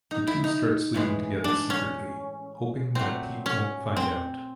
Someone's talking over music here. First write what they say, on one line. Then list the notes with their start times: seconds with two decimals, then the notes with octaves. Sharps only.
The two start sleeping together secretly, hoping that Pete won't find out.
0.11 D#4
0.27 E4
0.44 D#4
0.94 A2 E3 G#3
1.44 D4
1.70 C#4
2.95 A#2 F#3 A3 C4
3.46 C#4
3.96 C4